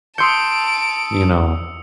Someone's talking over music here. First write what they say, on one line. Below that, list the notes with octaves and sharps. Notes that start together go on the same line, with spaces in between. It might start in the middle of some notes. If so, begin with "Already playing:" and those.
you know,
A5 C6 D#6 E6 G6 C#7 D7